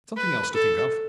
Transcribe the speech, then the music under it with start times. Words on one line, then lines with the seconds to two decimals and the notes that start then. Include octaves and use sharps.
Something else to think of.
0.17 B4
0.54 A4